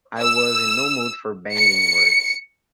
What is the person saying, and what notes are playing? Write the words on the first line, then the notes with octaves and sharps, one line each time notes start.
I was in no mood for bandying words.
E6
C#7